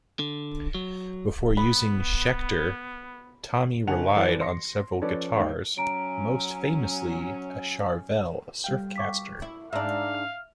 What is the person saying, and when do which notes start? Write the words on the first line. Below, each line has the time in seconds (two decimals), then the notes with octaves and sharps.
Before using Schecter, Tommy relied on several guitars, most famously a Charvel Surfcaster.
0.19 D3
0.75 F#3
1.57 B3 B5
3.87 F#1 D3 F#5 G#5 A5 F7
4.16 E3 C4 A4 B4 D5
4.41 C6 A#6 C#7
5.01 F3 C#4 A4 B4 D5
5.37 D#2 G#2 F5
5.78 F#3 C#4 A#5 D7
8.64 G3 F5 G5
8.96 C#6 D6 B6
9.42 E4
9.73 G#2 D4 E5 F5 A#5 E6
10.15 F6